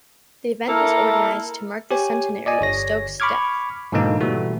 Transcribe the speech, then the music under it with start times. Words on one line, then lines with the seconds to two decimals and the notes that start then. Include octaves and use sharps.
The event was organised to mark the centenary of Stokes' death.
0.68 A#3 E4 A4 A#4
1.91 G4 C#5 G#5
2.46 D5 D#5 G#5
2.61 G1 C#5 A#6
3.20 B5 C#6 D6 F6 G#6
3.92 G#2 B2 D3 E3 A#3 D#4
4.21 B2 E3 G3 A3 F#4